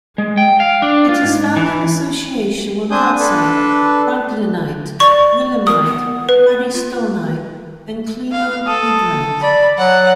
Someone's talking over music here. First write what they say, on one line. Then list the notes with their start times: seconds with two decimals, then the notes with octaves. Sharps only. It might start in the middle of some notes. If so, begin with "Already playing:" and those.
It is found in association with calcite, franklinite, willemite, hardystonite and clinohedrite.
0.18 G#3
0.37 G5
0.60 F5
0.82 D4
1.09 F4
1.24 G#2
1.56 E3
2.91 C4 D4 C5 G#5 D#6 G6
3.19 D4 A4 B4
5.00 D5 C#6
5.67 A#4 D#6
5.85 B3
6.29 B4
6.74 F4
8.32 F5
8.67 A4 D#6
9.43 D5 B5
9.78 F#3 F#5